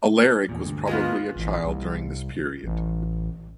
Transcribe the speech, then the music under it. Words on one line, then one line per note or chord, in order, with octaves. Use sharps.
Alaric was probably a child during this period.
E2 A#2
D2 G2
G#3 A#3 B3 F4
A1
C2
A1